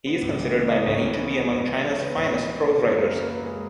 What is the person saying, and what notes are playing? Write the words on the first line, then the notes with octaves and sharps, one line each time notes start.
He is considered by many to be among China's finest prose writers.
B3
C#2
E3
C#3
B3 D#4 D#5
C#2 C#4 C#5
E3 B3 B4
C#3 B3 B4
B3
C#2
E3
C#3 C#5
B3 B4
C#2
E3 D#4 D#5
C#3 D#5
A#3 C#4 C#5
F#2
F#3 A#3 A#4
C#3
B4
A#3 A#4
G#3 G#4